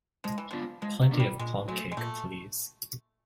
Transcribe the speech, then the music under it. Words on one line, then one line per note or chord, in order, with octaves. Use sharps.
Plenty of plum-cake, please.
F3 G#3
E3
F3 B3 D4 F4
F3 G#3
F#3
B3 D4 F4
G3
A#2 G#3
F#3 G#3 A3
G#3
A#2 A3